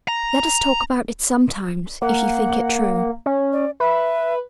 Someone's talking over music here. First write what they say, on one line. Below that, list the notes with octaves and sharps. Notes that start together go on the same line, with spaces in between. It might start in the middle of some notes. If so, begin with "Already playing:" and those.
'Let us talk about it sometimes, if you think it true.
A#5
A#3 F#5
C#4
D5
B4 E5